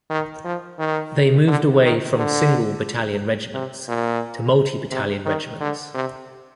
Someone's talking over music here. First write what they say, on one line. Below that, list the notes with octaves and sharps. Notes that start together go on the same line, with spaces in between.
They moved away from single battalion regiments to multi battalion regiments.
D#3
F3
D#3
D3
D#3
D3
C3
A#2
C3
D#3
D3
C3